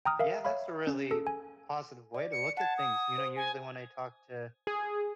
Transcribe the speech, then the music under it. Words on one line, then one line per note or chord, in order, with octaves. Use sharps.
Yeah, that's a really positive way to look at things. You know, usually when I talk to
G5 A#5 D#6 F6
A#4 E5 F5
C#5 E5 F5 B5
C#4
G#4 A4
G#5
D5
C#7
F#5 A5 G#6
D#6
C5
G#5
G#4